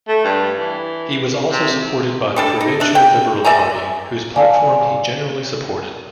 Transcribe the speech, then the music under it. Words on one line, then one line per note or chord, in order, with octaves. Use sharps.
He was also supported by the provincial Liberal Party, whose platform he generally supported.
A3
G2
E3
C3
G3 D4 A4
D#4
D4 E5
G5
D5 E5 G#5 A#5
D5 F5 G#5 A5